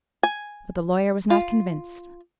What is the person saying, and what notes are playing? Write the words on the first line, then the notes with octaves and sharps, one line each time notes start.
But the lawyer was not convinced.
G#5
F4